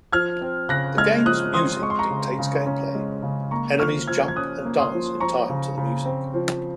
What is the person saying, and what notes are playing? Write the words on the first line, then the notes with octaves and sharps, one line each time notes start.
The game's music dictates gameplay; enemies jump and dance in time to the music.
F3 F6 G#6
C4
C#3 F#6 A#6
G#3 F6 G#6
F3 D#6 F#6
C4 C6 D#6
G#3 C#6
C6
A#5 C#6
C#3
C#3
C#4
G#3
C#3
A#3 A#5 C#6
F3 C#6 F6
F3 F6 G#6
G#6
C#4 D#6 F#6
A#3
C6 D#6
F3
F3 A#5 C#6
C#3
C#3
C4
F3